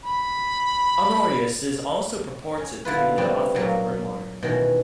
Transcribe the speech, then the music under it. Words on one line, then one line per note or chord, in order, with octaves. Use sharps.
Honorius is also purported to be the author of a grimoire.
B5
C#4
D3 E4 F4 B4
G3 A3 B3 C4 D4
A#2 F#3 A#3
B2 D#3 E3 C#4